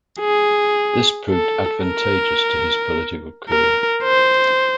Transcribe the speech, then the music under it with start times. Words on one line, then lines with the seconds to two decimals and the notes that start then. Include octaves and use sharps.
This proved advantageous to his political career.
0.20 G#4
1.29 A4
1.85 A#4
3.49 A#4
4.04 C5